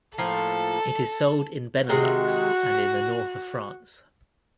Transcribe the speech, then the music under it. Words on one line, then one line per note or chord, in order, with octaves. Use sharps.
It is sold in Benelux and in the north of France.
A2 F3 A#3 A4
C3 D#3 G#3 F#4